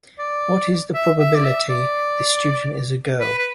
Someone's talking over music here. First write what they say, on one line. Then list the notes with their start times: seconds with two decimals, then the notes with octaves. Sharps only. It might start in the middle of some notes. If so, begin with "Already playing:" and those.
What is the probability this student is a girl?
0.19 D5
0.95 E5
1.20 E5
1.35 D5
1.45 E5
1.70 D5
3.20 B4
3.39 B4